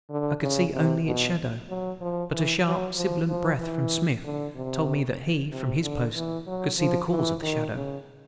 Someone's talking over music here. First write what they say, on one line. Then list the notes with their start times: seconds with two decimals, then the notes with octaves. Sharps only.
I could see only its shadow, but a sharp, sibilant breath from Smith told me that he, from his post, could see the cause of the shadow.
0.10 D3
0.42 C#3
0.73 C3
1.06 B2
1.69 F#3
2.01 F3
2.33 E3
2.65 F#3
2.96 F3
3.29 F3
3.59 E3
4.24 D3
4.56 C3
5.51 C3
5.82 D3
6.15 E3
6.47 F#3
6.78 F3
7.11 E3
7.42 D#3
7.75 C#3